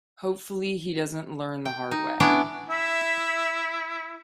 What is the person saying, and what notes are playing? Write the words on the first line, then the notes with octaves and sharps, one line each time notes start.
Hopefully he doesn't learn the hard way.
G5
D#4
B3 C#4 D4 E4 D5
E4 E5